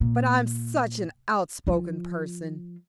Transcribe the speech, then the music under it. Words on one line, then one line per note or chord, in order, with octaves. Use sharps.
But I'm such an outspoken person.
A#2
F3 F4